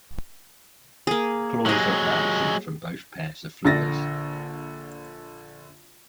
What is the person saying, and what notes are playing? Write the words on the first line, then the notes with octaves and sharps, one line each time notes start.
Claws are absent from both pairs of flippers.
A#3 G#4
F#3 G#3 G4 G#4
A#1 D3 A6 A#6